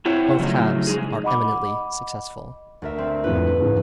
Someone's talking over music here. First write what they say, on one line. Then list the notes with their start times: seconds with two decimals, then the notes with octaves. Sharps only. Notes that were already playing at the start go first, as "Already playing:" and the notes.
Both halves are eminently successful.
0.05 C4 E4 C5 C#5 F#5
0.39 C#3 F3 F#3 A3 D#4 D#5
0.87 G#3 D#4 G#4
1.24 D#5 F#5 B5 D6
2.82 D2 A#4 E5
2.98 C4
3.24 F2 A2 F4 B4
3.59 G#2 C#3 E3